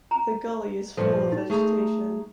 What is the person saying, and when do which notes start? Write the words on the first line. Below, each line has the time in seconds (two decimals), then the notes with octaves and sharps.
The gully is full of vegetation.
0.11 A#5
0.97 G2 A#2 F3 A4
1.32 D#4
1.50 A3 G#4 A#5